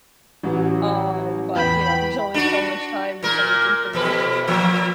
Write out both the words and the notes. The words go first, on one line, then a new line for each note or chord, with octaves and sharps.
Um, but you know, there's only so much time and so much information that like
A1 F#3
E2 G5 B5
D4 F#4
A#2 A#3 A#4
F2 B2 B4
F3 A#3